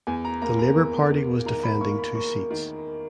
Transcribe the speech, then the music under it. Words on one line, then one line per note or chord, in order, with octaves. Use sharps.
The Labor Party was defending two seats.
E2 G#5
A#5
A#3 A#5
A#5
E2
E2
D#3 A#5
B5
A#3 C#6
B5
A#3 C#6
D#3